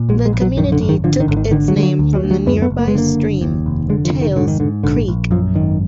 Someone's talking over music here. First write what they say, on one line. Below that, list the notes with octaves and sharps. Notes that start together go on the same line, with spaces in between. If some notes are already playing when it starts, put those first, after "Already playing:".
The community took its name from the nearby stream Tails Creek.
Already playing: A#2
A#1 G#3
G#3
A#1
F#3
F#2 D#3
D3
G#1
D#3
D3 F3
D#3
G#1 D3
D#3
D3 D#3
F#3
D3 G#3
F#3
D2
F#3
D2
F#3
F#2 B3
B3
F#1
A#3
G#3
D3 A#3
F#1
D#2
F1
D3 G#3
F3
F1
D#3
G#2 D3
D#3
G#2 D3
A#1 D3
A#1
F#2 F3
G#1 D#3